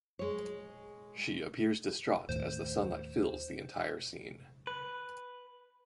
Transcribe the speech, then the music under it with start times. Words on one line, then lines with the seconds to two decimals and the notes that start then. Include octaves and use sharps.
She appears distraught as the sunlight fills the entire scene.
0.19 G#3 C#5
2.29 D#2 A2 C5
4.67 B4